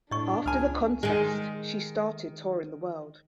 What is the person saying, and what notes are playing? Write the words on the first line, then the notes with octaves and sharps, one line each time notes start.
After the contest, she started touring the world.
A2 D4 D#5 C#6
C#2 G#5 F6
D#3 G#3